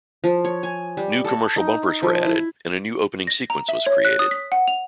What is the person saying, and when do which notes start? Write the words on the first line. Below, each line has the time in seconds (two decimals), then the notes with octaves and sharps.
New commercial bumpers were added and a new opening sequence was created.
0.24 F3
0.45 C#5
0.63 G#5
0.97 G3
1.24 A4
1.56 D#4
2.02 F3
2.25 E4
3.27 A#6
3.50 A#5
3.69 E5
3.87 C#5
4.05 F#6
4.19 D#6
4.31 B6
4.52 F#5
4.68 F7